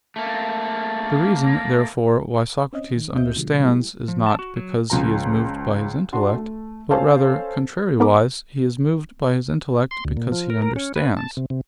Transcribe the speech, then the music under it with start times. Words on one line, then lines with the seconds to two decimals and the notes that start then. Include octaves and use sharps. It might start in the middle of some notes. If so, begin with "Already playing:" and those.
The reason therefore why Socrates understands is not because he is moved by his intellect, but rather, contrariwise, he is moved by his intellect because he understands.
0.16 A3 A#3
2.73 C4 C#4 D#5
2.96 D#3
3.14 D2 C4 F#4 D#5 E5 G6
3.36 B2 D3 F3 G3 G#3
3.64 F#3 G3 A3 E4 G4
4.08 F3
4.26 A5
4.39 F#4
4.56 F#3
4.90 C#2 F3 A#5
6.13 D4 F#4 C6
6.34 A3
6.91 C#4 A4 C5 F5 G#5 A5
8.00 B3 D#4 A#4 A#5 B5 D6
9.91 C6
10.05 D2
10.17 A#2
10.32 F3
10.50 A#4
10.62 A#4
10.76 C#4
10.96 B4
11.17 A5
11.37 C3
11.50 C3